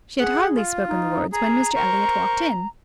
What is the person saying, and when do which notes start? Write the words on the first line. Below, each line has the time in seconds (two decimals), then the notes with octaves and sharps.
She had hardly spoken the words when Mr Elliot walked in.
0.19 G#4 F#5
0.56 F4
0.88 D#4
1.32 G#4 A#5
1.76 A#4 C5 C#6